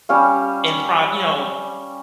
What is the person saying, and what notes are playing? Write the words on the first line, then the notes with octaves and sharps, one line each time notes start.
in pro you know.
G3 C#4 F5